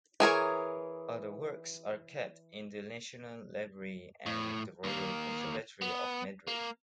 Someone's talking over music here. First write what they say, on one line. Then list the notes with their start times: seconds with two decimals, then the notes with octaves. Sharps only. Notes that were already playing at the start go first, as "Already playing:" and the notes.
Other works are kept in the National Library and the Royal Conservatory of Madrid.
0.20 E3 G#4 A#4 C#5
4.26 A2
4.84 D#2 A#3
5.82 B3
6.48 A#3